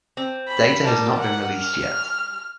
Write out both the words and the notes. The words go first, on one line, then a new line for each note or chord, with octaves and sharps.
Data has not been released yet.
C4
B5
G3 A#4 A5
F#5
F6